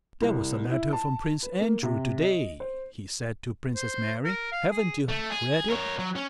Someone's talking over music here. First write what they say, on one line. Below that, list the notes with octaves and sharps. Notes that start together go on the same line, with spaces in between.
"There was a letter from Prince Andrew today," he said to Princess Mary- -"Haven't you read it?"
C2
E4
A5
B4
A#3
C3
D#5
C5
C5
A#4
F5
G#4
A3
G#4
A#4 C#5
F#3
C#4